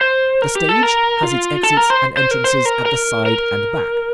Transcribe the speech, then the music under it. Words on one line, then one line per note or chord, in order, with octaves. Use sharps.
The stage has its exits and entrances at the side and back.
C5
A#4
G4
A4
A#4
F4
A4
A#4
C5
C5
A#4
C5
A#4
A#4
A#4